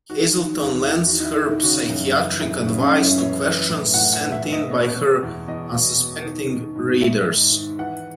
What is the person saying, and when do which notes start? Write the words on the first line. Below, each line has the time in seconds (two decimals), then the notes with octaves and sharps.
Hazelton lends her psychiatric advice to questions sent in by her unsuspecting "readers".
0.10 D#3 F#4
0.36 D#3
0.62 E2
0.87 E2 E4
1.06 F#4
1.12 D#3
1.20 D#4
1.25 E4
1.38 D#3
1.45 E4
1.63 C#3 F#4
1.90 F#2
2.15 E3
2.41 F#2 E4
2.66 C#3
2.79 C#4
2.92 F#2
2.98 E4
3.18 E3 C#5
3.43 E3
3.69 A2
3.94 A2 F#5
4.13 F#5
4.20 E3
4.32 E5
4.45 E3
4.52 D#5
4.71 B2 C#5
4.96 B2
5.23 E2
5.48 E2 D#5
5.74 B2
6.00 B2
6.25 D#3
6.50 D#3
6.75 G#2
7.01 G#2 E5
7.27 D#3
7.52 D#3
7.79 E3 F#5